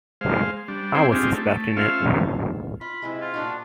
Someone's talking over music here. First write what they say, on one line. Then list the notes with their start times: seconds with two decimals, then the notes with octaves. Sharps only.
I was suspecting it!
0.21 G#3 C5 F5
0.68 G3 D4
0.95 C4 E4 C5 D5 G5 G#5
1.12 C4 D4 D#4 F4 G4 G#4
1.33 A3
1.77 C#4 F4 C5 E5 F5
2.81 F4 B5
3.02 G#2 C3 G#3 E4
3.22 F4
3.34 A#2 G3 D4 F#4